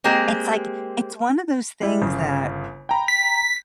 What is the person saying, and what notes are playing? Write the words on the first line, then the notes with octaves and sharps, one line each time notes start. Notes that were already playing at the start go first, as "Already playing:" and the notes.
It's like it's one of those things that,
G#3 A#3 C4 G4
G3 E4
G1 C#3
G5 A#5 B5
B6